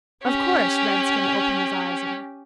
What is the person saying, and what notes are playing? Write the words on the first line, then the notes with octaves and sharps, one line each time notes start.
'Of course!' Redskin opened his eyes at her.
C#4 G4